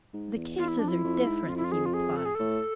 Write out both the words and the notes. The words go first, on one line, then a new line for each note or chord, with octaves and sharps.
'The cases are different,' he replied.
G#2
E2
E2 F4
E4
F2 D4
E4
F2
G#2
E2
F2 F4
E4
F4
G#4
F4
G#4
A4
G#4
A2 A4